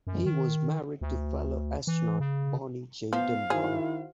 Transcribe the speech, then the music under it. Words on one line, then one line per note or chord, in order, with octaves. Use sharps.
He was married to fellow astronaut Bonnie J. Dunbar.
F#2
D#3
D2
E3
C#3
F3 B3 F5
D#3 E4 F#4 G#4 C5 F#5